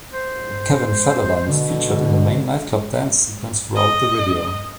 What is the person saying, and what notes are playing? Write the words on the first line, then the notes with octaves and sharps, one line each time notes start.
Kevin Federline is featured in the main nightclub dance sequence throughout the video.
C5
B2 D3
D#5